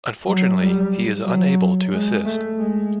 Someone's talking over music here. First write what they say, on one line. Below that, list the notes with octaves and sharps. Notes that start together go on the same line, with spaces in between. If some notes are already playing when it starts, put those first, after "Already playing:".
Unfortunately, he is unable to assist.
F#3
G3
F#3
G#3
A3
G#3